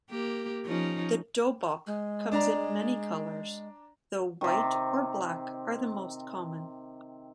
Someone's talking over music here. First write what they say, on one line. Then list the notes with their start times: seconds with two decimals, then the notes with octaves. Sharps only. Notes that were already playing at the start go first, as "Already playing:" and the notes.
The dobok comes in many colours, though white or black are the most common.
0.10 A#3 G4
0.66 F3 C#4 D#4
1.87 G#3
2.32 D4 D5 A#5
4.41 C3 D#3